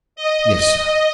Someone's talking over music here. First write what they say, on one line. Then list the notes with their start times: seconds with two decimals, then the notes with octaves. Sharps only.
"Yes, sir."
0.16 D#5